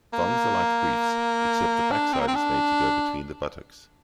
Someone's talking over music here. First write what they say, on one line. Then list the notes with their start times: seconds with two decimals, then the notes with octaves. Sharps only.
Thongs are like briefs, except the backside is made to go between the buttocks.
0.13 A#3
1.91 D4
2.13 C4
2.20 A#3
2.28 C4
2.35 D4